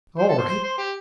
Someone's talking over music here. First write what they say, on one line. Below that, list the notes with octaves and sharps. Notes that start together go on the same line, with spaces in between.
'All right.
C5
A4
C5
C5
C5
G4